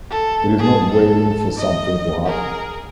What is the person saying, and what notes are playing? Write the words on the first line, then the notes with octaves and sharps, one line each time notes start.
It is not waiting for something to happen.
A4
G#4 A5
A4
D#5
G#4 A#4